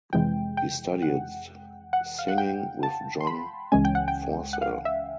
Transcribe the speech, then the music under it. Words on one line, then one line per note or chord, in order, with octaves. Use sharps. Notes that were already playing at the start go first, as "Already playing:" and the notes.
He studied singing with John Forsell.
F2 C3 E3 G#3 G5
G5
F#5
F#5
F5
F#5
G5
A5
C6
B5
C#2 C#3 E3 G#3 C#4 G#5
G5
F#5
G5
F#5
F5
E5